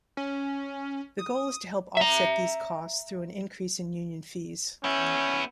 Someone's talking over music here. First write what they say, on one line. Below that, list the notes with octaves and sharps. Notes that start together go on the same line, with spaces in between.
The goal is to help offset these costs through an increase in union fees.
C#4
D#6
E5 A#5
B3 C#4 E5